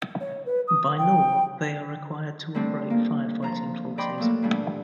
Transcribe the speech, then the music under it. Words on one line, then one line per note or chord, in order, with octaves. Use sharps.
By law, they are required to operate fire-fighting forces.
C#5
B4
D#6
G5
D3 G3 A3 C4 D4
A#3
F3 A#5
D5 D#5 G5 B5 C6 D6
F#3 A3 A#3 A4
A#2 E3 G3 A3 D4